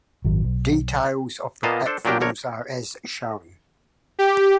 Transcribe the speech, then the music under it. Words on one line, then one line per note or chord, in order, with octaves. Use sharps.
Details of the platforms are as shown.
G#1 F#2 D#3 F#3
B1
A#2 A#3 B3 D#5 F5 A5
D4 A4 C5
A#2 F#3 D4 G4 A#4 G5
A#1 D3 A#4 C#5
G4